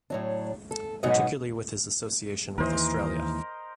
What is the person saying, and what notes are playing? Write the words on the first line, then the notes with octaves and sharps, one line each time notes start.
Particularly with his association with Australia.
A2 F#3 D4
A4
G#2 B2 F#3 F#4 D#5
D#2 E3 A#4 C5 D#5